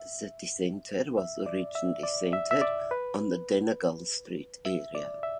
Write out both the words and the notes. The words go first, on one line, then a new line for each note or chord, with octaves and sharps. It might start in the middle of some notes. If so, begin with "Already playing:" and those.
The city centre was originally centred on the Donegall Street area.
Already playing: E5
E5
D5
E5
D5
E5
E5
D5
B4
E5
D5
E5